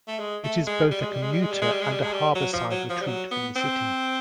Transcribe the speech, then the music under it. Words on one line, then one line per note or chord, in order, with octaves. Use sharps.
It is both a commuter and a harbourside retreat from the city.
A3
G#3
A3
G#3
G3
G#3
G3
G#3
G3
G#3
G3
G#3
G3
G#3
G3
G#3
G3
F#3
F3
F#3
F3
G3
F#3
B3
C4